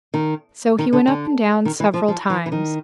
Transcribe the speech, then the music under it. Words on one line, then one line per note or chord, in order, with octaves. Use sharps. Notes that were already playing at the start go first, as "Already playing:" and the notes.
So he went up and down several times.
D#3
D#3
D3
D3
D#3
E3
F3
F3
E3
E3
D#3